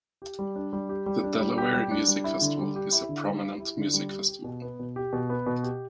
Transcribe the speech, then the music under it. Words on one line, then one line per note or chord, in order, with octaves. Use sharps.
The Delaware Music Festival is a prominent music festival.
G4
G3
D4
G3
G4
G3
D4
G3
G4
G3
D4
G3
E4
D3
G3
G4
E4
D3
G3
G4
E4
D3
G3
G4
G4
B2
B3
B2
G4
B2
B3
B2
G4